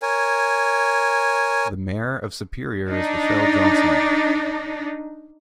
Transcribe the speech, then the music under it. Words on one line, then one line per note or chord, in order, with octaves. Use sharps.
The mayor of Superior is Rochelle Johnson.
A#4 C#5 G#5
D4 D#4